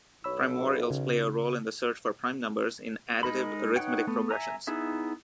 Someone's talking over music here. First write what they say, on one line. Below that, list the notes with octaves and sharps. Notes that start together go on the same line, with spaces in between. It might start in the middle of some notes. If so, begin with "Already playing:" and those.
Primorials play a role in the search for prime numbers in additive arithmetic progressions.
B1 C#5 B5 E6
C#3
G#3 D#4 A#4 B5
D#4 B4 C#5 F#5 G5
A3 B3
E5 G#5 A#5
B3 D#4 E4 G#4 E5